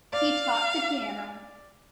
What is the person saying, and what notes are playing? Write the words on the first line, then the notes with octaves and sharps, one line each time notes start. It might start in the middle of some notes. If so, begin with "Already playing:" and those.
He taught the piano.
D5 F5